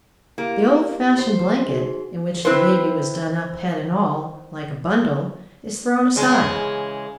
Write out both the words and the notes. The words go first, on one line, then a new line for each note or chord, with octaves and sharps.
The old-fashioned blanket, in which the baby was done up head and all, like a bundle, is thrown aside.
A#3 E4 G4
C5
D#4 F#4 G#4
C4 E4 B4 C5
C#3 E3 G#3